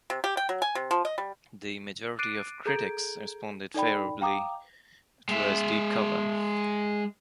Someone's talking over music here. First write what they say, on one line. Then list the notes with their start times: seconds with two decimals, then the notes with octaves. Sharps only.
The majority of critics responded favorably towards "Deep Cover".
0.10 C3
0.24 G4
0.37 G5
0.49 F#3
0.62 G#5
0.75 C3
0.91 F3
1.05 D#5
1.18 G3
2.19 D6 F#6 A6 C7 D7 D#7
2.66 G#4 A4 A#5 G6 G#6 D7
3.74 D#4 A4 D5 G5 B5
4.21 F5 G5 A#5 D6 D#6
5.29 G#3 E5